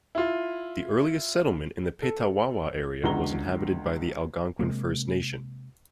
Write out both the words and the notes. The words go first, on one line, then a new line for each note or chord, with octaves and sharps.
The earliest settlement in the Petawawa area was inhabited by the Algonquin First Nation.
E4 F4
A4
C#2 D3 F#4 A#5 G7
C3 G#3 A#3